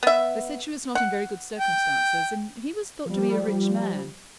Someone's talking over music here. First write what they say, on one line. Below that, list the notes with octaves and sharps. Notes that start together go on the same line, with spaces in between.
They said she was not in very good circumstances, and he was thought to be a rich man.
B3 E5
F#5
G5
F3 G3